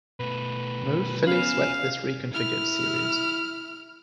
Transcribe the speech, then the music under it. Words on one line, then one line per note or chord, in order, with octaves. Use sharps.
No filly swept this reconfigured series.
B2 A3 B4
B3 C#4 F5 G#5 B5
E4 F6